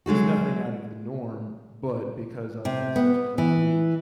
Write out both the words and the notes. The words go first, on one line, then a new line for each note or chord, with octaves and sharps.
is nothing out of the norm, but because I've had such a tough week,
F#3 G#3 A3 F#4
C3
B3
E3